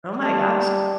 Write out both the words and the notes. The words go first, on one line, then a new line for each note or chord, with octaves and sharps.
Oh, my gosh.
G3 D5 D#5 A5